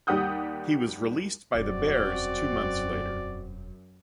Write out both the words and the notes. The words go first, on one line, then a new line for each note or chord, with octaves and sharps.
He was released by the Bears two months later.
D#2 G3 G4 F#5 D#6 G6
E1 F#2 G3 C4 F#4 D5